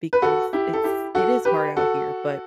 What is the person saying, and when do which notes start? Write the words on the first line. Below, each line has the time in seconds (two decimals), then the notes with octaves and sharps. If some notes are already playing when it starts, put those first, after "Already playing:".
because it's it is hard out here, but
0.13 B4
0.22 F#4 A4
0.53 E4 G4
0.74 A4
0.84 E4 G4
1.15 F#4 A4
1.45 G4 B4
1.77 F#4 A4